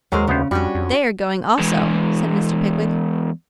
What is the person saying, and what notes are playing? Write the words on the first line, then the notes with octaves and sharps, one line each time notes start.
'They are going also,' said Mr. Pickwick.
D#2 F#3 G#3 A#4 C5
D2 C#3 B3 C5
F2 G3 C#4 D4 F#4
F2
E2 G#3